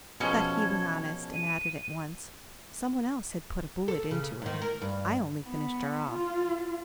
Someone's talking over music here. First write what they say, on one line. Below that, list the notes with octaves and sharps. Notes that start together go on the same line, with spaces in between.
But he was honest, and added at once, "Some one else had put a bullet into her; I only finished her off."
B2 F3 C#4 G#4 A4 G#6
D#7
A4
C#3
G#2 D#3
A#4
G2
B3
F4